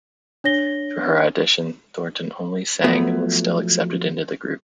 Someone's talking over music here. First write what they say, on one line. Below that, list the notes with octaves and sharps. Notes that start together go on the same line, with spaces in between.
For her audition, Thornton only sang and was still accepted into the group.
D4 C#5 A#6 G7
F3 F#3 A3 B3